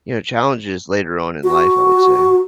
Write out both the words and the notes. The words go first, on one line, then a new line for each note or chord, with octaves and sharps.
you know, challenges later on in life, I would say.
F#4